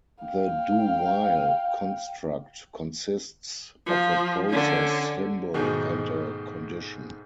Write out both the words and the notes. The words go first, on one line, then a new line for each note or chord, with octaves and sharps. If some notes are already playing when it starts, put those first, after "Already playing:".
The "do while" construct consists of a process symbol and a condition.
F5 G5
F3
D3 C#4
G#2 B2 D#3 G#3 A3